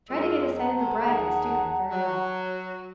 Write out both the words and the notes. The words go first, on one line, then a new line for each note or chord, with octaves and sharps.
"Try to get a sight of the bride by stooping very low."
F#2 G#3 F4 E6
F#5 A5 A#5
C3 A3
D#2 G#4
F#3